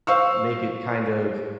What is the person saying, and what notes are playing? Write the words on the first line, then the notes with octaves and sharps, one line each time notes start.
make it kind of
C5 F5 C#6 E6